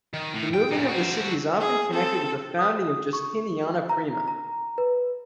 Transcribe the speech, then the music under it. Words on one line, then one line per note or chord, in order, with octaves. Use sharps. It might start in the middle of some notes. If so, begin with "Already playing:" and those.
The moving of the city is often connected with the founding of Justiniana Prima.
D#3
A2
G5
F#2 A#2
C4 F#4
G#4
C4 A4
D#6
C#6
A#5
A#5
B4